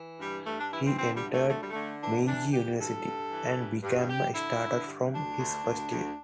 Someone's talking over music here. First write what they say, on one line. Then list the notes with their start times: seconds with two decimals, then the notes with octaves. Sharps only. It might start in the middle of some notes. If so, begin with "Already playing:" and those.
He entered Meiji University, and became a starter from his first year.
Already playing: E3
0.19 G2 G3
0.45 G2 A3
0.59 D4
0.71 E3 E4
0.84 C4
0.97 D3 C4
1.15 G3
1.23 D2
1.32 A3
1.49 D3 A3
1.60 G3
1.69 A3
1.75 D3
2.01 E3 D4
2.27 E3 D4
2.53 E3 G4
2.79 G2 A4
3.05 G2
3.31 E3
3.57 G2
3.82 G2
4.08 G2 G4
4.34 D3 E4
4.61 D3
4.86 G2
5.12 D2 D4
5.39 D2
5.64 D2
5.90 D2